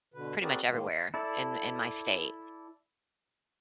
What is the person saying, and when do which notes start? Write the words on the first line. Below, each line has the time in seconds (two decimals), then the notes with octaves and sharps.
pretty much everywhere in in my state.
0.14 B2 D3 B4
0.41 C4 F#4 G#4 A#4 B4 D5
0.68 A2 D#3 G#3 A#3
1.14 E4 A4 D5